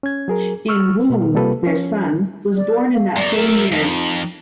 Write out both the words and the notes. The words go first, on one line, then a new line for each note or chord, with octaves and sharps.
In-Woong, their son, was born in that same year.
C#4 G#6
F#3 G#4 A#4
C#6 E6 F6
B2
C3 G3 A#3 F4 A4 B4
F3 C#4
D5
F5
F#2 D5
F#3 A#4 E5
F2 D#4